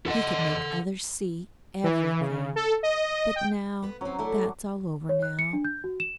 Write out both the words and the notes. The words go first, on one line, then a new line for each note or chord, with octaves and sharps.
He could make others see--everything. But now--that's all over now.
E2 A4 D#5 F#5
E3
C#3
A4
D#5
G5
B3 B4
F#3 C4 C#4
D3 A3 E4
C#5
F#6
C#7
D4
G6
F#4
E7